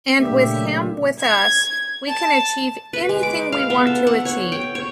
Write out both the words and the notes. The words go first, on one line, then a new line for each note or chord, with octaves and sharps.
And with him with us we can achieve anything we want to achieve.
A#2 C#3 F#3 A3 A#3 D4 G4 E5
G#6
A5
B4
G#3
D6
F5
B3
A4
F#5
C#5
G5
C#5